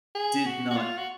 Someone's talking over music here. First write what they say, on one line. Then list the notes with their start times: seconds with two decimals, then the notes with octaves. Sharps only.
did not
0.15 G#4
0.46 F#4
0.71 F#4
0.77 F4
0.97 F#4